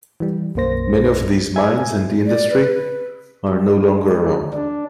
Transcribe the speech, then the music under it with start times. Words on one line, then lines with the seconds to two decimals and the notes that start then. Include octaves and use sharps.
Many of these mines and industry are no longer around.
0.20 E3 G3
0.55 B1 F#2 A#3 C5 A#6
1.56 E5 G#5 G#6
2.26 D5
2.50 B4
3.49 G3
3.85 G#3
4.53 D4